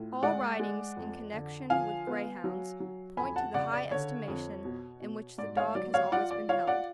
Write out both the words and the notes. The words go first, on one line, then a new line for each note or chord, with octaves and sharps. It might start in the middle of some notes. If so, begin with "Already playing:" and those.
All writings in connection with Greyhounds point to the high estimation in which the dog has always been held.
Already playing: A2 F4
G#3 D5 F#5
G#3
F2
D3
F3 F5 G#5
B3
F#3
F#3
F2 G#5 B5
F#5 A5
C#3 D5 F#5
D5
D3 C#5
F2
B2
B2
G#2 D5
C#5 F5
F#3 D5
C#5 F5
F4 D5 F#5
D5
F4 C#5 F5
D5 F#5